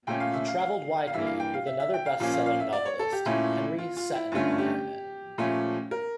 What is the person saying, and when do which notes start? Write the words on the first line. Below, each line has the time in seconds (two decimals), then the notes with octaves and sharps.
He travelled widely with another bestselling novelist, Henry Seton Merriman.
0.07 A#2 A3 C#4 G5
0.20 F5
0.33 E5
0.47 F5
0.60 F5
1.07 F5
1.14 G2 E3 A#3 E5
1.27 F5
1.40 G5
1.54 F5
1.66 E5
1.80 E5
1.94 G5
2.06 F5
2.20 A#2 F3 A#3 C#4 F5
2.33 F5
2.46 F5
2.60 E5
2.73 D5
2.86 C#5
2.99 A4
3.12 G4
3.26 A#2 A3 C#4 E4
3.79 F4
3.97 F4
4.15 E4
4.32 G2 D3 A3 C#4 F4
4.58 G4
5.38 A#2 F3 A3 C#4
5.91 A#4